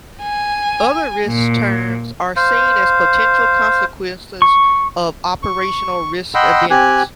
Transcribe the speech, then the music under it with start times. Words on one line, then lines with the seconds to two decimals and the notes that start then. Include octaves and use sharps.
Other risk terms are seen as potential consequences of operational risk events.
0.22 G#5
1.28 A#2
2.36 C5 F5
4.42 C#6
5.43 C#6
6.35 D#5 F#5 G5 B5 C6 E6
6.70 C4 G4 G#5 F#6